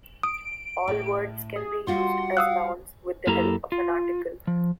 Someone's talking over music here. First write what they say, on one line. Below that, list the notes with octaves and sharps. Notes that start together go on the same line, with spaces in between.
All words can be used as nouns with the help of an article.
D#6 D7
A2
G#4
G3 F4 F#4 F#5 C6
F5 D#6 E6 F#6
F#2 A#3 E4 G4 A4 A#5
F4
F3